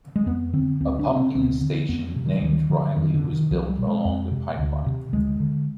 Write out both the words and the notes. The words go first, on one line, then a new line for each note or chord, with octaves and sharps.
A pumping station named "Riley" was built along the pipeline.
G#3
F2 B3
D3 C4
D2 C4
D4
C3
C4
D2 C4
D3
F2 B3
C3
D#3
F3
D2 D#3
D3 F3
F2 D#3
D3
C3
D#3
C2 F3
G3
B2
G#3
F2
C3
D2
C3
D2 G#3
D3